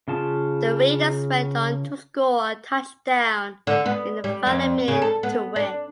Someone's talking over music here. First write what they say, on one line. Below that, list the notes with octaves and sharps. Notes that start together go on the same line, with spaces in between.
The Raiders went on to score a touchdown in the final minute to win.
C#3 F4 A5
D3
B3
G3
F2
C#3
A4
B3
D4